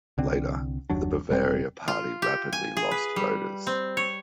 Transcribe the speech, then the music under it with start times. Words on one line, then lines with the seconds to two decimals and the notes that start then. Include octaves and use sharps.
Later, the Bavaria Party rapidly lost voters.
0.18 C2 D3 C4
0.90 F#1 D#2 F#3 D4
1.30 E1 G3 A3 C4
1.88 F4
2.22 G4
2.53 G#5
2.77 G#4
2.91 B4
3.16 G3
3.67 C4
3.97 C#5